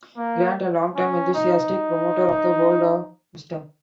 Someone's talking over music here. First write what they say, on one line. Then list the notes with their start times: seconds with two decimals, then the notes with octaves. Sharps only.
Grant, a long-time enthusiastic promoter of the Word of Wisdom.
0.16 A#3
0.95 C#4
1.34 D#4